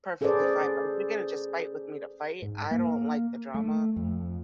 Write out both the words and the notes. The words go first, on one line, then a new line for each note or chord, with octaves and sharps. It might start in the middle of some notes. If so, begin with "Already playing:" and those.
perfectly fine, but if you're gonna just fight with me to fight, I don't like the drama.
C#4 G#4 A4 B4 C5 D5
G#2
A#3
A3
F2